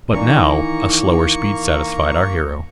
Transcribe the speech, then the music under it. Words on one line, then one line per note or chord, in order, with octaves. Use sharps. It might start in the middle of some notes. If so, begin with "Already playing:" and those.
But now a slower speed satisfied our hero.
D#3 E3 A#3 D4 D#4 A#5 C#6